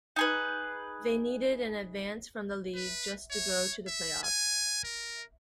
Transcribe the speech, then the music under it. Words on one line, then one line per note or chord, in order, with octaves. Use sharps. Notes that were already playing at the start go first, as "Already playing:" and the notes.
They needed an advance from the league just to go to the playoffs.
D#4 G#4 B4
B4
C#5
E5
G#5
A#4